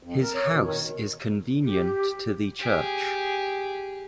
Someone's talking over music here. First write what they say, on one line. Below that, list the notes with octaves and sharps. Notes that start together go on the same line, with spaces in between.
His house is convenient to the church.
F2
A#4
C#5
B2
D#3
G4
G4 G#4